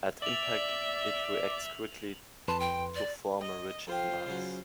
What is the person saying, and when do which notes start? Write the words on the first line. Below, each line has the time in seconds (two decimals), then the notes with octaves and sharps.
At impact it reacts quickly to form a rigid mass.
0.22 D5 E5 F7 F#7
2.48 F2 B4 A5 C6
2.60 G5
2.96 D5
3.40 D#5
3.87 F2 F4 G4 C5
4.26 C#3 F#3